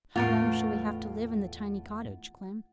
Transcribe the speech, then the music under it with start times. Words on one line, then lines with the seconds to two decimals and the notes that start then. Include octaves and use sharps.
"How long shall we have to live in the tiny cottage, Clym?"
0.16 E2 A2 C#4 F4 F#5 A6 D7